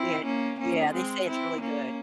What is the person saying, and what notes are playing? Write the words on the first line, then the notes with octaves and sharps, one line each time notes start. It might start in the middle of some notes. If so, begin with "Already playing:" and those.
Yeah, yeah, they say it's really good.
Already playing: C4 E4
A#3 C#4
A#3 C#4
G#3 C4
C4 E4
A#3 C#4